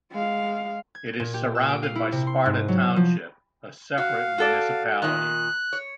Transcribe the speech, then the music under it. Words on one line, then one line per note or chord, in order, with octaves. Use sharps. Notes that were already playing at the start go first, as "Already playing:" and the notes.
It is surrounded by Sparta Township, a separate municipality.
G#3 F5
G#6
A#2
G4
E6
D7
F5
E4
C3
C6
G#2
F#3
F3
F#4 F5
F#4 A4 D5
A#2 D#3 F#6
C#5